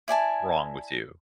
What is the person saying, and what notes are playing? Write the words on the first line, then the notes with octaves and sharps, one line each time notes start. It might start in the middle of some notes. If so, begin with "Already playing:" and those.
wrong with you,
E4 D5 G#5 A5